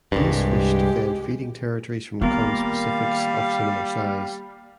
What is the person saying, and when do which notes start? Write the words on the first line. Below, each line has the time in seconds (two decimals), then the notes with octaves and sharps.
These fish defend feeding territories from conspecifics of similar size.
0.12 C2 G2 G#3 G4
2.22 D#3 G3 A#3 B3 F4 A#4 F5